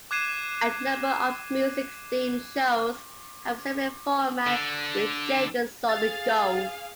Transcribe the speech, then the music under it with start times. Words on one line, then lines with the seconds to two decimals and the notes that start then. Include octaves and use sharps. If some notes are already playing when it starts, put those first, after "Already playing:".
A number of music themed shows have a similar format with Jade Solid Gold.
0.11 D6 F#6 G#6 C7 D#7 E7
4.47 D3
5.89 G#4 F5 A6